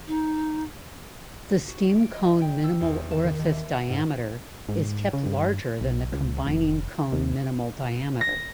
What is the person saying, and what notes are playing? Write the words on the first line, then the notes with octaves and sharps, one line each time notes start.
The steam-cone minimal orifice diameter is kept larger than the combining cone minimal diameter.
D#4
F#4
D7
D#5
G5
E6
E2
A5
D#3
D#2
E5
F#5
G#2
G#2
C#3
G2
B1
C#2
F1
D#2
A#6